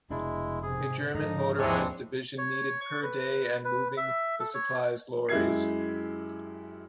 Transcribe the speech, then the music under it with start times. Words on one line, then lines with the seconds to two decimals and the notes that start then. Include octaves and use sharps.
A German motorised division needed per day and moving the supplies lorries.
0.10 F1 B2 G#3 D4 E4
0.63 G#2 C3 G#4
1.14 G#2 D3 F3 D#4 A#5
1.58 D#2 E3 F3 G#3 C4 D4 C#5
2.38 C#5
2.81 C#6
3.03 B4
3.65 B4
3.97 E5
4.39 A4
4.54 C#5
5.29 F#2 G#3 E4 G4 G#6 C7